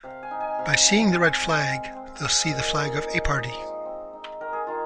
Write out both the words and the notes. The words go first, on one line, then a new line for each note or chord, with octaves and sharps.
By seeing the red flag, they'll see the flag of a party!
C3 F5
G#5
D#4
G#5
C3 F5
C3 G#5
C4 F5
G#3
C4
C4
F5
G#3 D#5
A#2
D#4
D#4
D#4 D#5
F3
C4
D#4
D#3 A#4
G#4
D#3 F4